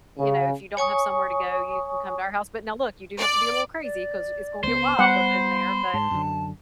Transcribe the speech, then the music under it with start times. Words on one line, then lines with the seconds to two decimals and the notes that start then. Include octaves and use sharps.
you know, if you don't have somewhere to go, you can come to our house, but now, look, you do have to be a little crazy 'cause it's gon' get wild up in there, but,
0.19 C#3
0.77 C#5 G#5 C#6 D#6
3.18 D5
3.82 D5
4.63 C#2 B3 C5
4.99 G3 B3 F#5 B5
5.66 B5
5.94 G#2 A5
6.11 F#2 D3